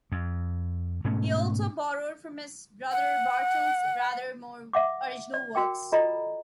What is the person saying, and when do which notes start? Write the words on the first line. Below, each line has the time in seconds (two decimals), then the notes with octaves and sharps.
He also borrowed from his brother Barthel's rather more original works.
0.12 F2
1.05 G#2 B2 A3 C#4
2.92 F#5
4.73 E5 F#5 D6
5.34 D5
5.55 F#4 A#4 G5 D6
5.92 F4 A4 D5 D#5 A#5 B5